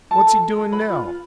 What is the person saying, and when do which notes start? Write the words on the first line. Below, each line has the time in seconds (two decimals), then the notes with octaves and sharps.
"What's he doin' now?"
0.11 A4 A5
0.27 A4
0.43 A4
0.57 A4
0.72 B4 B5
0.89 F4
1.04 F4